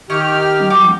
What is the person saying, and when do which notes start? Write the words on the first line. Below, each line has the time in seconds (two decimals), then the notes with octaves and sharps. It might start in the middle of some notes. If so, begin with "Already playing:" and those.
I mean,
0.10 D#3 E4 G4 D#5 C#6 F6
0.70 F#4 G5 D6